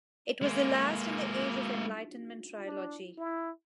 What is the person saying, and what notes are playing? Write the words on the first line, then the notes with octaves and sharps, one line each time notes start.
It was the last in the "Age of Enlightenment" trilogy.
G#3 A#3
D4
E4